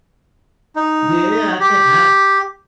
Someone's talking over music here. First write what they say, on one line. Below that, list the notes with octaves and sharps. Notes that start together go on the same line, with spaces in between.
Yeah, I can't I
D#4
G4